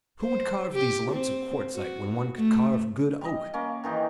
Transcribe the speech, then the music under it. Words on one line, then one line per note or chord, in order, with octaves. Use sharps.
Who would carve these lumps of quartzite when one could carve good oak?
C5
G4
C4
F#4
A3
G3 D#5
A#3 C#4 D5
D#3 E3 D#4 G4